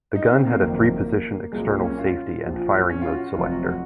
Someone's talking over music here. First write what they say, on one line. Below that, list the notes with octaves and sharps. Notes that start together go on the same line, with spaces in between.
The gun had a three-position external safety and firing mode selector.
D#4
C4
A#3
F#1 F2 D#3 F#3
C2 A#2 F#3 G#3
A#3
C#4
F4
A#1 A#2 F3
C#4
F4
F#4
F#4
F1 F2 C3 F#3 F4
F#4
F#4